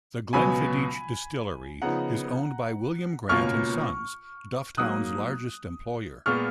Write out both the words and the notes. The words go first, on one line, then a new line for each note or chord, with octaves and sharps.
The Glenfiddich distillery is owned by William Grant and Sons, Dufftown's largest employer.
C#2 B2 F#3 B3 G#5 B5
C#3 F3 B3 D#4 F#5 A#5
C#2 B2 A#3 C#4 F4 C#6 F6
G#2 F#3 A#3 D#6 F#6
A#2 G#3 B3 F4 C#6 F6